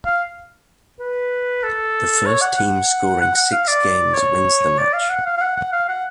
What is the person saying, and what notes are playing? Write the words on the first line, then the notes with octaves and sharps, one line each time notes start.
The first team scoring six games wins the match.
F5
B4
A4
C#5
F#5
F#5
F#5
F#5
F5
D5
C#5
D5
F5
F#5
F5
F5
F#5
F#5
F5
F#5